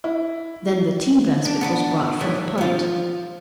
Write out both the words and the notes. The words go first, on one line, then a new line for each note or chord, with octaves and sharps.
Then the tea-basket was brought from the punt.
E4
D4
B3 C#4 D4
D#2 E3 G3
F3 F4